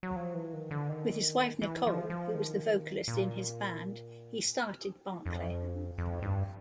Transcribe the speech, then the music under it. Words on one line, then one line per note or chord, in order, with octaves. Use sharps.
With his wife, Nicole, who was the vocalist in his band, he started Barclay.
F#3
F3
E3
D#3
D3
D#3
E3
F3
F3
D#3
A#2
F2
F2
G2